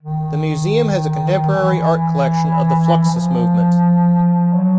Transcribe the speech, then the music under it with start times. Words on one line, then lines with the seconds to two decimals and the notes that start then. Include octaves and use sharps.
The museum has a contemporary art collection of the Fluxus movement.
0.03 D#3
1.53 E3
3.04 F3
4.53 F#3